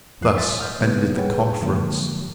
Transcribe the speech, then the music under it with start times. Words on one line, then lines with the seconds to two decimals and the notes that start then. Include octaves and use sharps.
Thus ended the conference.
0.21 E2 F3 F4 F#6 C7
0.37 G#5 C6 A6 B6
0.58 F#5 D#6 F6 G6
0.79 C#3 G3 A#3 B3 B4
1.17 G#4 B4 C#5 F#5 G5
1.61 F2 G#2 D3 F3 G#3 A#3